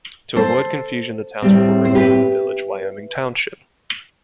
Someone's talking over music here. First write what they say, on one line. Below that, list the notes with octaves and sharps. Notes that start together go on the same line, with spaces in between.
To avoid confusion the townspeople renamed the village Wyoming Township.
A4 C5
A2 G3 C4
C5
G4 B4